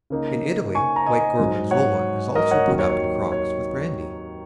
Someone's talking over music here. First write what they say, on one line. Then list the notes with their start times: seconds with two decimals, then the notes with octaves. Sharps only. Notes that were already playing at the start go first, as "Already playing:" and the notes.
In Italy white Gorgonzola is also put up in crocks with brandy.
0.10 C#3 A#3 D#4
0.75 G#5 C#6
0.96 A#5
1.07 D#5 G#5
1.39 G#2 F#3 D#4
1.71 C#5 F#5
2.35 A#4 D#5
2.51 C#5 F#5
2.68 D#2 D#3 F#3
2.79 C#5
2.89 C#5
3.32 C#5